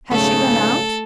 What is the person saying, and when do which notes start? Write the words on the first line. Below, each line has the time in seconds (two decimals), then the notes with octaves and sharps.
Has she gone out?
0.11 B1 G#2 C#3 A3 A4